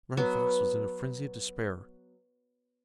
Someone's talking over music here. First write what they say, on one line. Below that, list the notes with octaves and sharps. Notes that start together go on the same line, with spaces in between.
Running Fox was in a frenzy of despair.
F#3 B3